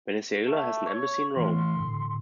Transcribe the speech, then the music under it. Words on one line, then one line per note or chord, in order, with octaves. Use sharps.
Venezuela has an embassy in Rome.
A3
C#5
E3 A3 C6
A2 D3